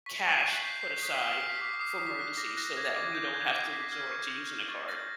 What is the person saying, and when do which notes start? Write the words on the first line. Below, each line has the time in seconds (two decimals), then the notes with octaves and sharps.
cash put aside for emergencies, so, that we don't have to resort to using a card."
0.06 C#6 B6
0.15 C7
0.23 C#6 B6
0.32 C7
0.40 B6
0.45 F#6 C7
0.56 B6
0.64 G6 C7
0.74 B6
0.81 G6 C7
0.90 B6
0.98 C7
1.02 D#6 B6
1.15 C7
1.22 F6 B6
1.31 C7
1.40 F6 B6
1.48 C7
1.57 B6
1.61 D6 C7
1.73 B6
1.79 D#6 C7
1.90 B6
1.98 D#6 C7
2.07 B6
2.19 F#6
2.37 D6 A#6
2.57 F#6 A#6
2.77 D6 G#6
2.96 D6
3.15 D6 G6
3.34 F#6 G#6
3.53 D6 C7
3.73 D6 B6
3.92 F6 G#6
4.11 C#6
4.31 F6
4.50 F6
4.69 C#6 A6
4.88 G6 A#6